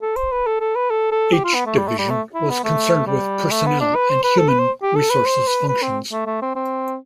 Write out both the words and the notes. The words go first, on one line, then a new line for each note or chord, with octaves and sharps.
H Division was concerned with Personnel and Human Resources functions.
A4
C5
B4
A4
A4
B4
A4
A4
G4
F4
B3
A3
G3
A3
G3
A3
E4
B3
A3
G3
A3
B3
D4
B4
C5
B4
A4
B4
C5
G4
A4
B4
C5
B4
B4
C4
A3
A3
C4
C4